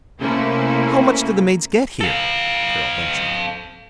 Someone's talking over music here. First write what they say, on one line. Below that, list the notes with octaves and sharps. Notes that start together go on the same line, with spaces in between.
"How much do the maids get here?" Carol ventured.
C3 A3 A#3 C#4 E4
A4 F5